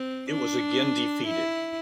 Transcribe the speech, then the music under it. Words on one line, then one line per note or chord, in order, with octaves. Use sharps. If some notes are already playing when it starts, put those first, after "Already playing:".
It was again defeated.
Already playing: C4
D4
E4